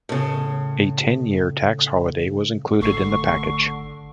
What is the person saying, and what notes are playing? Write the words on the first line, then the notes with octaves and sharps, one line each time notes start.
A ten-year tax holiday was included in the package.
A2 C#3
G#1 D3 A3 C#6 C7